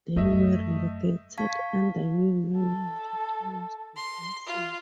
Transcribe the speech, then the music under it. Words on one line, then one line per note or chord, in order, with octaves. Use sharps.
They were relegated under new manager Thomas Johansson.
F#2 A3 D#5 E5
F5 A5 C#6 G#6 B6
A4
C6
F4